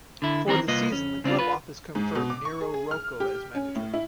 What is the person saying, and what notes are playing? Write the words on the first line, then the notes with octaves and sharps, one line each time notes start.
For the season the club office confirmed Nereo Rocco as manager.
D3 E4
D#3 E3 C4 A#4
C2 A#3 F4 B4 D#5
F2 C#4
C#3 C4 D4 D#4 F4
F4 B4
G#2
B2
D6
C#6
G#4
G#4
F6
G4
C#4
A2
E4